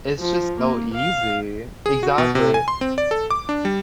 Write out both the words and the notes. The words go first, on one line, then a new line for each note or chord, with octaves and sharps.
It's just so easy, exactly,
F3
A#3
F5
G#4
F#4
B2
C3
G#5
C6
C4
D5
A4
D6
D4
G3